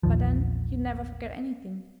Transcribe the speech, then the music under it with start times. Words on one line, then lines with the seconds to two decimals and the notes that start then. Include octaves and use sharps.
But then you never forget anything.
0.03 A#1 E2 D#3 F3